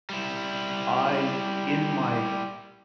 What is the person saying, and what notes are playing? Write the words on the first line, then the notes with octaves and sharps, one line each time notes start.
I, in my
G3 E4